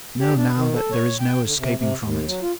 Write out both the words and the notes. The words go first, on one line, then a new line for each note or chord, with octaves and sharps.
I know now that there is no escaping from it.
G4
D4
D#3
A4
C#5
G5
D3
C3
C3
D#2
F#3
F4